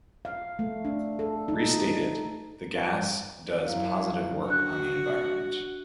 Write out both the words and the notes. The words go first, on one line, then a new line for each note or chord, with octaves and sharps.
Restated, the gas does positive work on the environment.
F5
A3
D4
A4
D#4
F#2 E4 F5
D4 F#4 F#6